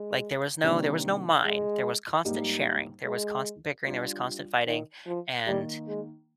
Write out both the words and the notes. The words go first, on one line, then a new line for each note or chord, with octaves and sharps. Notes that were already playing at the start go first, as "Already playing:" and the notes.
like, there was no there was no "mine," there was constant sharing, there was constant bickering, there was constant fighting, and
Already playing: G#3
C3 D#3 G3 A#3 D4
G#3
G#2 G3 A#3 D#4 G4
G#3
G3 D4 F4
D#3
F3
D#3 G3 A#3 D#4
G#3